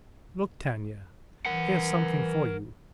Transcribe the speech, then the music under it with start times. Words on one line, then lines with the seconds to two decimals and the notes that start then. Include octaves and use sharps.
Look, Tanya, here's something for you!
1.46 E3 A#4 F#5